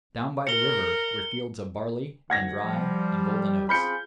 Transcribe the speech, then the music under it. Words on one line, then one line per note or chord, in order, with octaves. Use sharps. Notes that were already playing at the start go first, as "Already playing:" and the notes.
Down by the river were fields of barley and rye and golden oats.
A#4 C#7 G7
D2 F#5 G#6 A#6
F3 G3
C4 F4 G#4 B5 G6 C#7